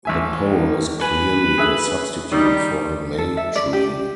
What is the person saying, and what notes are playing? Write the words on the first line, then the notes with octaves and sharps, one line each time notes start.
The pole is clearly a substitute for a May-tree.
A1 E5 G#5
B4 G#5
G#4 E5 F#6
D#3 G3 D#4
A4
E5
D5
G4